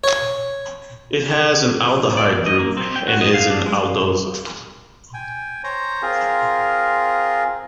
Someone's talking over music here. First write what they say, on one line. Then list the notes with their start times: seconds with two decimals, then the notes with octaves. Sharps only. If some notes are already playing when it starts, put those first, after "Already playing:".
It has an aldehyde group and is an aldose.
0.04 C#5
1.97 B1
2.17 D5
2.35 E2
2.46 D#5
2.59 A#3
2.77 C4
2.96 G5
3.08 F#4
3.22 D#5
3.34 F5
3.50 D4
3.66 G#3
5.14 G5 G#5
5.64 C5 C#5 A#5
6.02 C4 F4 G#4 A#4